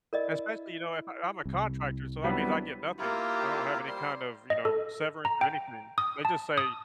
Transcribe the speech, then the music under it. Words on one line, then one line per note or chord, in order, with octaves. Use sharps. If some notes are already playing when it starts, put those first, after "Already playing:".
Especially, you know, if I'm a contractor, so that means I get nothing I don't have any kind of, you know, severance or anything. They just say,
E4 A#4 D5 D#5
C2
F#3 G3 B3 C4 D4 E4
A#3 E4 F4 G4 A#4
G3 C5 C6
D#5
A4
A#5
G5
D#6
A5
D#6